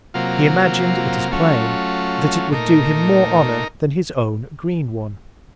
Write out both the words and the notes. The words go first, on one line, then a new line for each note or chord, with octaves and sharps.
He imagin'd, it is plain, that it would do him more Honour than his own Green one.
C3 F#3 A#3 F4
F#3 A3 C#4 F4
A#2 A3 D#4 A#4